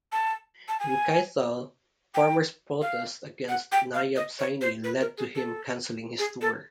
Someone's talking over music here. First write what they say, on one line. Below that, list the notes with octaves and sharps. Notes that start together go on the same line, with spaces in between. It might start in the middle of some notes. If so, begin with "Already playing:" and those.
In Kaithal, farmers' protest against Nayab Saini led to him canceling his tour.
A5
A5
G#5
G5
F5
F#5
G5
F5
D#5
C#5
C5
B4
A#4
G#4
A4
G#4
A4